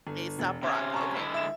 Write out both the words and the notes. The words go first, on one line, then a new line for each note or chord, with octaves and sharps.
Aesop Rock, okay.
G1
E1
C3 C#4 E5
A5 A#5 C#6
D3 G#3 E4
E5 E7